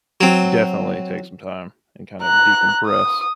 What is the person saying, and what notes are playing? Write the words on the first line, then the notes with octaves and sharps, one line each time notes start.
definitely take some time and kind of decompress,
F#3 C4
A#5 F#6
D#6